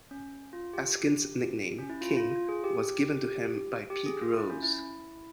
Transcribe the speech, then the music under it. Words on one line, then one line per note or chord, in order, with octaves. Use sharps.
Eskin's nickname, "King", was given to him by Pete Rose.
C#4
F4
G4
C#4
E4
F4
F4
F4
G#4
G4
G4
G#4
F4
E4
C#4
E4